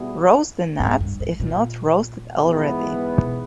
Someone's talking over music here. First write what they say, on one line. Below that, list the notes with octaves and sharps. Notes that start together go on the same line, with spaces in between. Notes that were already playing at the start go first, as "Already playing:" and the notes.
Roast the nuts if not roasted already.
Already playing: B2 G3 B3 E4 G#4
G#2
G2
G#2
A#2
G#2 E3 G#3 B3
B2